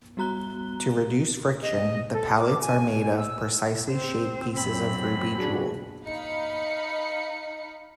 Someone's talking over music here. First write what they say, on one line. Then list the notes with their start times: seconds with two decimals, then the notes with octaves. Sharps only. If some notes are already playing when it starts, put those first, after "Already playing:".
To reduce friction, the pallets are made of precisely shaped pieces of ruby jewel.
0.17 G3 B3 F#4 A#5 F#6 G7
1.62 D#5
2.11 A4
2.38 D6
2.61 G#5
3.16 E6
3.89 C4 C5
4.57 F#2 B5
5.38 D4 F#4 G#4
6.05 D#4 D#5 F5 B5 C#7